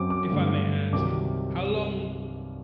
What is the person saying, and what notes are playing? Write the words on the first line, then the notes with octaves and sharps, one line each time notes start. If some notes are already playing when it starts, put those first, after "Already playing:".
if I may ask, how long
Already playing: F#2 F#3 C4 D6
D6
G2 D3 A3
C2 C3 D#3 F#3 C4 D6